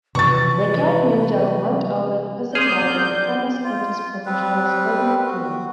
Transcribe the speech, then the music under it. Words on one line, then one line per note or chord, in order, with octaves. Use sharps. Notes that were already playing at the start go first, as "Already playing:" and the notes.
The current Manager of Mount Albert-Ponsonby is former Scottish professional Scott MacKay.
C3 E3 F3 B4 C#6 A6
C4 G#4 D5 C6 D#6 F6 G6
F4
G3 C4 B4
F#4